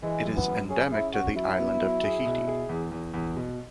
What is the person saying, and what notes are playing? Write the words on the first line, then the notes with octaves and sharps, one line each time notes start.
It is endemic to the island of Tahiti.
E3 G#3
F#2
B3
F#2
C#4 G#4
C#4 E4
C#4 F#4
F#3 E4
B3
F#3
G#4
B2
G#4
E2
E2
E2
B2